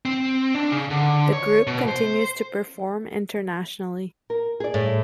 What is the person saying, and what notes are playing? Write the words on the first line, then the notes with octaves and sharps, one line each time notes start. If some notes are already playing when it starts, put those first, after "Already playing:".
The group continues to perform internationally.
C4
D4
C#3
D3
C#5
B2
C5
A#4
G#4 D5
A2